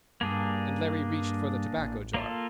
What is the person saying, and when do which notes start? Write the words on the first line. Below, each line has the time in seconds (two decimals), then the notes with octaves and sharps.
And Larry reached for the tobacco jar.
0.21 G2 A#3 D4 G#4
1.77 A1
2.14 A#3 F4 A4